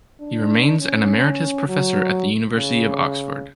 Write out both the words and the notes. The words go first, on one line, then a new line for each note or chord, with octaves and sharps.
He remains an emeritus professor at the University of Oxford.
D4
C#4
F#3
C#3